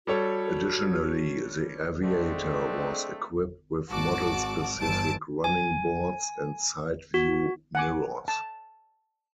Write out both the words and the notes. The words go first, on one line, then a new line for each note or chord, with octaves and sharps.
Additionally, the Aviator was equipped with model-specific running boards and sideview mirrors.
G3 F#4 A4 C#5
D3 G#3 A3 C4 D4
G#1 F#4 A5 D6
G1 E3 A5 D7
G#5
F#4
F#5 G#5 D6
A5